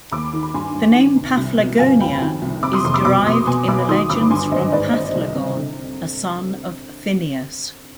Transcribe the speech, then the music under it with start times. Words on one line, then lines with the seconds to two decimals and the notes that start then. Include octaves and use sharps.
The name "Paphlagonia" is derived in the legends from Paphlagon, a son of Phineus.
0.12 D#2 B5 D6
0.33 D#3
0.43 B5
0.54 G2 G#5 C6
0.75 G2
0.96 D#3
1.16 C3
1.37 C2
1.59 B2
1.79 G1 F5 G#5
2.01 F2 G5 B5
2.21 D#3
2.42 C2
2.63 C3 B5 D6
2.73 C6 D#6
2.84 F1 C6 D#6
2.94 B5 D6
3.05 B2 B5 D6
3.26 B2 C6 D#6
3.46 B2 G#5 C6
3.67 B1 B5 D6
3.89 D#3 C6 D#6
4.10 G1 B5 D6
4.30 G2 G#5 C6
4.51 G#1 C5 D#5
4.72 G#2 B4 D5
4.93 G#1 C5 D#5
5.15 C2
5.35 C3
5.57 D3